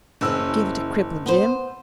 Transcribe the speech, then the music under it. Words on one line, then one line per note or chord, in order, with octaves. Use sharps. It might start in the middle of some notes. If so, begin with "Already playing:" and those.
"Give it to cripple Jim."
F#1 E3 C#4 E6
B3 C5